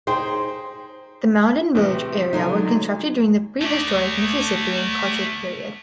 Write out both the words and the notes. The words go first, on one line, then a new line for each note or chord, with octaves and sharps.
The mound and village area were constructed during the prehistoric Mississippian culture period.
D#4 G#4 C5 G5
A2 C3 E3
D3 F#3 D#4
A3 D5